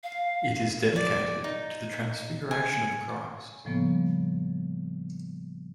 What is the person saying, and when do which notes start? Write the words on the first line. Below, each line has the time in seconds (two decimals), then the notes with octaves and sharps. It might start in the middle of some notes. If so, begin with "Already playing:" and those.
It is dedicated to the transfiguration of Christ.
0.04 F5
0.96 D5
1.44 D#4
2.51 G#5
3.65 A2 C#3 F3 G3 A#3 B3